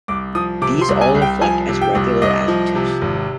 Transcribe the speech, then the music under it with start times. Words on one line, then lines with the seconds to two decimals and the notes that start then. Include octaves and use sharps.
These all inflect as regular adjectives.
0.08 C2 D6
0.35 F3 D#6
0.61 C3 D6
0.81 C6
0.89 C2
1.01 G#5
1.15 C2
1.22 G5
1.42 F3 G#5
1.68 C3
1.82 G5
1.95 C2
2.22 C2 D#5
2.48 F3
2.75 C3
3.01 G#1